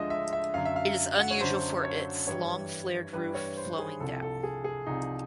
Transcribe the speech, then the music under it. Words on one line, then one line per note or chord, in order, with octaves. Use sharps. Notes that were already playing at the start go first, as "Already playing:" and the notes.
It is unusual for its "long flared roof flowing down".
Already playing: D2 D3 F3 G#3 D#5 E5
E5
E5
F#2 D3 F#3 F5
E5
F5
F#5
C#5
F#2 D3 F#3 C5
C#5
G2 E3 G3 C#5
G2 E3 G3 B4
C#5
C5
G#4
C2 C3 F3 A4
A4
G#4
G#4
C2 C3 F3 D#4